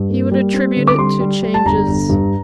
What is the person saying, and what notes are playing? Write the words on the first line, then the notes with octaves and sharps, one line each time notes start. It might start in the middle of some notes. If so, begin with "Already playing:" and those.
"He would attribute it to changes . . ."
Already playing: G2
A#3
G3
C4
D3
D6
G3 C6
G3
G3
A5
G1 A#5
G1
G2